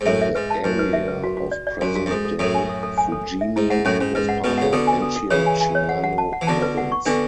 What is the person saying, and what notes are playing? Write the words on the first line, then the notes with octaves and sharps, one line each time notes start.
The area of present-day Fujimi was part of ancient Shinano Province.
G#2
F#2 A2 E5
E5
G#2 B4
A5
F#2 B4
B4
E5
B4
F#4
F#4
D5
D5
F#2 F#4
F#4
F#2
G#2 A4
A4
F#2 A2 A4
G#5
A4
A4
G#5
A4
A4
E5
G#2 E4
G#2 F#5
F#2 A2 C#4
G#2 C#4
G#2 B4
F#5
G#2 B2 B4
C#3 F#5
B2 D3 A4
G#5
A4
A4
C#3 E3 C#5
G#5
G#5
C#5
F#5
F#5
A5
F#5
E3
B2 D3 A5
B4
F#5
C#6
B2 D3 D4